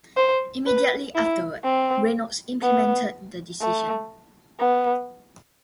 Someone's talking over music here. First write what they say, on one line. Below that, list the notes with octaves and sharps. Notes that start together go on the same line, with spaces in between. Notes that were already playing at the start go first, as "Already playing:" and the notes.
Immediately afterward, Reynolds implemented the decision.
C5
B4
E4
C4
B3
A3
B3